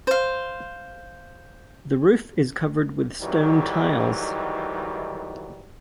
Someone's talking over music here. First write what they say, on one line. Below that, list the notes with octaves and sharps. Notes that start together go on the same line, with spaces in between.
The roof is covered with stone tiles.
C5 F5
D2 G#2 D#3 E3 F#3 G3